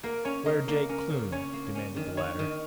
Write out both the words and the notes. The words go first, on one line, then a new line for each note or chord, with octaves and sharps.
"Where Jake Kloon?" demanded the latter.
A#3 A#4
C#4 C#5
C#3 A#4 D#5
A#3 A#4
C#4 A#4
C#3
C#4 C#5
A#3
C#4
D#3
D#3 C#5
D#3